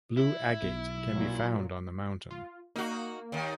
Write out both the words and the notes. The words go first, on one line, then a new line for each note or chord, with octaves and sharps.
Blue agate can be found on the mountain.
E4
B1
A#2 F#3
F4
A#3 D#4 F#4
D#2 D#3